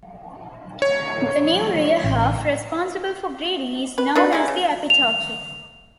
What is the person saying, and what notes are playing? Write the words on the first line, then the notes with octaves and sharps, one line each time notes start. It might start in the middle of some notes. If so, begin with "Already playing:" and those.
The new rear half, responsible for breeding, is known as the epitoke.
C#5
A1
B4
D4 D#4 B4
G3 G#3 D#4 E4
C#3
F7